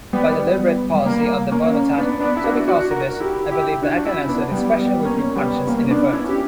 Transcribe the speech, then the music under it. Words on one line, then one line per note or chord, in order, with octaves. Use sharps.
By deliberate policy of the Bernotat, so because of this, I believe that I can answer this question with good conscience in the affirmative.
G3 B3
G3
A#3
A#3 C#4
B3 D4
B3 D4
E4
D4 F#4
D4 F#4
F#4 A#4
E4 G4
E4 G4
D4 F#4
C#4 E4
B3 D4
G3 B3
G3 B3
A#3 C#4
G3 B3
A#3 C#4
B3 D4
D4
C#4 E4
G4